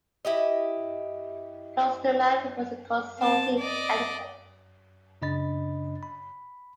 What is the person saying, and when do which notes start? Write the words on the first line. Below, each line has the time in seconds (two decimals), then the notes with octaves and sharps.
Klosterman was a consulting editor.
0.25 E4 G4 D#5
3.18 C4 A5
3.59 D5 D#5
5.22 F#2 C#3 D4 D#5 B5 A6
6.03 B5